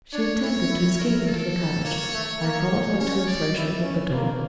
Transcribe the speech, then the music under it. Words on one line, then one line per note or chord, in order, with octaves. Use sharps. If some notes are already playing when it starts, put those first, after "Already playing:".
She attempted to escape into the cottage; I followed her to the threshold of the door.
D4 C#5
E4 C#5
E4
A3 A#4
A#3 A4
A#3 C#5
A3
A#3 C#5
C#4 C#5
D5
E4
C#4
A#3